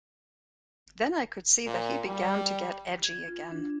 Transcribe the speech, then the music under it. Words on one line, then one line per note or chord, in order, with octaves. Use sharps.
Then I could see that he began to get edgy again.
A#2
G3
G#6
F4
D4